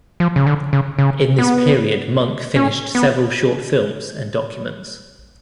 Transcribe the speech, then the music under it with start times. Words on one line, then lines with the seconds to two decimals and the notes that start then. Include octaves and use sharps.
In this period Munk finished several short films and documents.
0.20 F3
0.36 C#3
0.46 D3
0.73 C#3
0.99 C#3
1.39 B3
2.56 C#4
2.95 B3